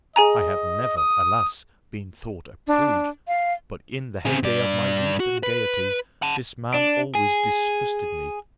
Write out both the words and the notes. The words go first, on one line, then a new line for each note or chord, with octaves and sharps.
I have never, alas! been thought a prude, but in the heyday of my youth and gaiety, this man always disgusted me.
G#4 D#5 G#5 A#5
D#6
D4
F5
C4 G#4
G2 D5
F#4
B4
F#5 A5
D4
G#4